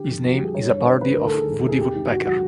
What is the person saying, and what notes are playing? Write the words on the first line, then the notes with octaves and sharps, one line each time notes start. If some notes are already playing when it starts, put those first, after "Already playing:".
His name is a parody of Woody Woodpecker.
Already playing: D3 G4
F2
F2 F#4
G3 G4
G#4
G2 C#5
G1 C#5
G1 C5
E3 B4
D2 A#4
A4
D#3
G#4
E1
C3
G#4
D#3 G4
G#2
G#2 F#4
F#3 F#4